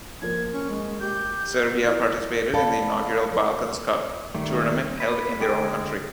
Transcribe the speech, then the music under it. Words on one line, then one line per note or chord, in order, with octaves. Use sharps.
Serbia participated in the inaugural Balkans Cup tournament held in their own country.
F3 A#3 G#6
C#4 C#6
G#3
G4 G6
E4
A4 D5 F5 B5
D#3 G3 A3
B4
D3 G#3 G#4 G5 D#6